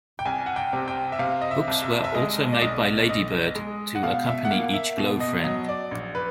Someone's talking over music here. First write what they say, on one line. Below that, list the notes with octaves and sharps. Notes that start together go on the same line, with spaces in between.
Books were also made by Ladybird to accompany each Glo Friend.
G5
C2 G#5
F#5
G5
C3
G5
E5
C3 F5
D#5
E5
C2
E5
E5
G#3 D#5
D5
B1 D#5
B1 D#5
G#3
F#5
B2 F5
E5
F#5
A#3 F5
E5
B2
D#5
F#3 D#5
D5
A#1
B4